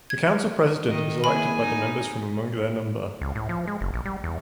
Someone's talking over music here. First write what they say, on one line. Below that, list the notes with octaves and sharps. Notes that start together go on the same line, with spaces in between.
The council president is elected by the members from among their number.
G#6
D#3 D#5
A#3 E4 G#4 G#5 B5
D#4
C#2
A2
F3
G#3
F#1
A#1
G3
E2